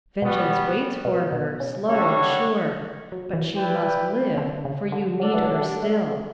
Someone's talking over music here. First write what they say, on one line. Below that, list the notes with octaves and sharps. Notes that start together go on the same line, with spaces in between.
Vengeance waits for her, slow and sure; but she must live, for you need her still.
B2 G3 B3 F#4
B2
B2
C#3
C#3 G3 D4 F#4 A4 C#5
F#3
E3
E4 B4 D5 G5
D3
C#3
D3
F#3 D4 A4 D5 F#5
E3
F#3
A3
G3
A3